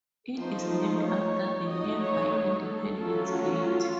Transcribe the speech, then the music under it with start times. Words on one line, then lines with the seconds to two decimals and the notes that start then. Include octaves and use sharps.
It is named after the nearby Independence Gate.
0.37 F3 A3 D#4 C5
0.69 C5
1.02 C#5
1.67 F#3 A3 D#4 D#5
2.00 C#5
2.32 C#5
2.64 A4
2.97 F#3 A3 C#4 F4 A4
3.30 F#4
3.62 F4